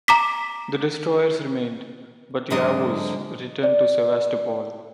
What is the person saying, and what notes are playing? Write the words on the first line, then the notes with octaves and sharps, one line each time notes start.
The destroyers remained, but "Yavuz" returned to Sevastopol.
A#5 D6 B6
G#2 D3 F#3 G#3 D#5
D5